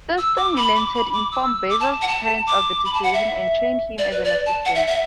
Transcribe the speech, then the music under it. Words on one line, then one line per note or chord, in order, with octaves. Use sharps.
Thurston relented, informed Besser's parents of the situation, and trained him as an assistant.
E6
D6
B5
D6
B5
D6
E6
D6
A5
F#5
A5
D6
B5
A5
F#5
E5
D5
B4
D5
A5
F#5
E5
E5